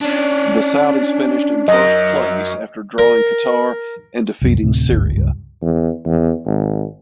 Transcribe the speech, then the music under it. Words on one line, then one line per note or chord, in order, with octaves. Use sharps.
The Saudis finished in first place after drawing Qatar and defeating Syria.
C#4 D4
F#2 A#4 D#5
A#4
C2 F#2
D2 A2 C3
G1 D2 G#2
C#2 G2
E2
E2
G#1